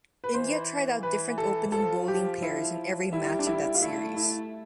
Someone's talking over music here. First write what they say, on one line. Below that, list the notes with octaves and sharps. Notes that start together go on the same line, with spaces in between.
India tried out different opening bowling pairs in every match of that series.
B4
E3 C5
E3 B4
A4
F3 A4
G4
E4
G3 E4
D4
E4
F4
A3 E4
E4